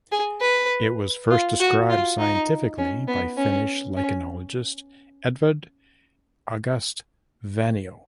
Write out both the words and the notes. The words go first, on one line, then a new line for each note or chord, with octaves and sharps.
It was first described scientifically by Finnish lichenologist Edvard August Vainio.
G#4
B4
F4
F#4
F4
D#4
C#4
B3
C#4
C#4